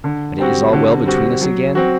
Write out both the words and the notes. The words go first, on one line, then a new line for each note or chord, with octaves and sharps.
"But it is all well between us again?"
D3
G3 C4 F#4
D3
G3 C4 F#4
F#3
C4 F#4